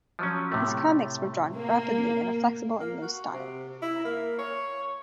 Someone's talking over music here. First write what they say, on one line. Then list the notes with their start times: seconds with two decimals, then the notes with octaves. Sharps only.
His comics were drawn rapidly in a "flexible and loose" style.
0.19 F3 F#3 C#4
0.52 A2 C3 A3
1.54 A#3
2.81 A#3
3.02 F#4
3.33 C3
3.82 E4
4.05 A#3
4.38 C#5